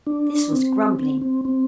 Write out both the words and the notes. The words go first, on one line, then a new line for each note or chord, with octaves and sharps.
This was grumbling.
D4
C4
C4
C4
C4